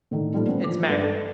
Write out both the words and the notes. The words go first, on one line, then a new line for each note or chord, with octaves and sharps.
It's Max.
A2 D3 D#3 D4
A#2 F3 G3 D#4 F4 A4
A#3 B3 C#4 C5
F3 D6
G2 B4 D5
A4